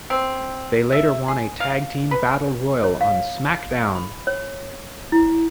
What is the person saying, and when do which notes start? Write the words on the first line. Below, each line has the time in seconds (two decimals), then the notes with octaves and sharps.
They later won a tag-team battle royal on SmackDown!
0.10 C4
0.93 E5
1.28 G#4
1.60 F5
2.11 B4
2.83 C#5
3.01 F5
3.95 B5
4.27 C#5
5.12 E4